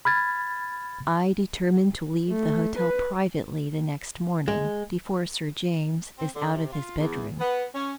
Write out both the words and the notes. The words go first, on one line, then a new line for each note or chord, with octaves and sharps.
I determine to leave the hotel privately the next morning before Sir James is out of his bedroom.
B5 F6 G#6 A6
A3
B4
G#3
C4
D3
C3
F4
E2
B3
C#4